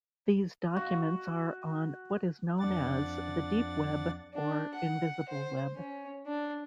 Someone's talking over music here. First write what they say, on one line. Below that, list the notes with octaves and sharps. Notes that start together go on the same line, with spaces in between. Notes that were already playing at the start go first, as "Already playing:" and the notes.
These documents are on what is known as the deep Web, or invisible Web.
F#4
F2 D4 D5 F#5 A6
D4
F#5
C5
C#4
D4